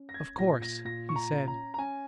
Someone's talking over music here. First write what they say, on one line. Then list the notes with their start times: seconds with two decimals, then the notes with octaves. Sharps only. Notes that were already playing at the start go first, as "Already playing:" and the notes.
"Of course," he said.
Already playing: C#4
0.09 A#6
0.14 G#6
0.38 A#2 A#6
0.62 A#6
0.85 A#2 A#6
1.09 C#6
1.16 A#5
1.32 C#4
1.48 A#5
1.74 A#5
1.78 C#4 G#5